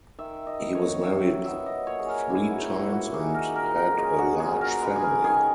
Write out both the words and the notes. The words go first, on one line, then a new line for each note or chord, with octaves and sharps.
He was married three times and had a large family.
D#3 E5
D#5
F#3 B3
C#5
D#3 E5
F#3 B3 E5
D#5
A#2 C#5
G#4
A#4
A#3 D#4 E4
F#4
A#2 E4
F#4
A#3 D#4 G#4
A#4
A#2 A#4
A#4
G#3 C#4 G#4
F#4
A#2 G#4
A#4
G#3 C#4 B4
G#4
A#4
D#3 G#4